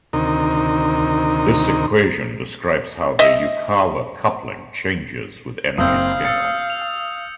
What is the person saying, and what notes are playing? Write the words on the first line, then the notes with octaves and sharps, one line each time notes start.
This equation describes how the Yukawa coupling changes with energy scale .
D2 C3 D#3 D#4 A#4
D#5 E5
F#1 C4 F5 G5 D#6 E6 G6
E6 A6 C#7
F7